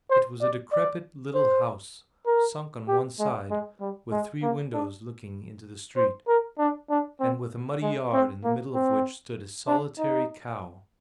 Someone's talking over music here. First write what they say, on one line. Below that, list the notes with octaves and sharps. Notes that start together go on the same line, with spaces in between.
It was a decrepit little house, sunk on one side, with three windows looking into the street, and with a muddy yard, in the middle of which stood a solitary cow.
C5
D5
D5
C5
A#4
G4
G#3
G#3
G3
G#3
A#3
D4
C5
A#4
D4
D4
C4
G#3
C4
A#3
C4
D4
D#4